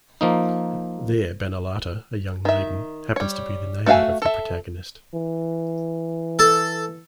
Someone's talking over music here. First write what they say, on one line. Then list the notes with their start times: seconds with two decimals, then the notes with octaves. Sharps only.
There Banalata, a young maiden, happens to be the neighbour of the protagonist.
0.21 F3 A#3 D#4
2.45 D#3 E5
3.16 G3 C#5
3.86 A3 F#4 E5 F5 G#5
4.22 A4 E5
5.14 E3
6.39 A4